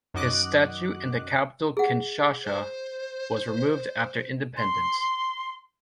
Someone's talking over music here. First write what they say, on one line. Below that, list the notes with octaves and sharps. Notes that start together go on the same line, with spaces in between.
His statue in the capital Kinshasa was removed after independence.
F#2 D#3 F#4 D#5 D6 F#6
G#4 F#5
C5
C6